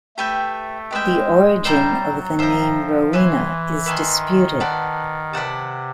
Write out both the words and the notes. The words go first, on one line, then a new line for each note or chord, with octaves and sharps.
The origin of the name "Rowena" is disputed.
A3 G4 B4 E5 G5
G#3 G4 B4 E5 G5
G3 C5 E5 G5 A#5
F#3
F3 C5 E5 G5 A#5
E3 B4 E5 G#5 C6
D#3 B4 E5 G#5 C6
B4 D5 F#5 A5
C3 B4 D5 F#5 A5